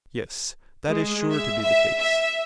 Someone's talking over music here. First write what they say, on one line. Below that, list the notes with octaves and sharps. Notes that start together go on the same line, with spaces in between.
Yes, that is sure to be the case.
G#3
E5
E5
E5